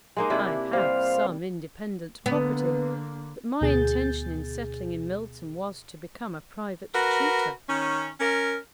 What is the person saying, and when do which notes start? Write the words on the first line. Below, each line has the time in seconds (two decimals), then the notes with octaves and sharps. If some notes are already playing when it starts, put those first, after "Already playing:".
I have some independent property, but my intention in settling in Milton was to become a private tutor.'
0.17 G#3 A#3 D#4
0.30 C3 D4 E4
0.73 G3 C5 F5
2.26 D3 A#3 B3
3.61 D2 B2 G#4 G6 A6
6.94 F#4 A#4 B4
7.68 D#3 C#4
8.20 C#4 A#4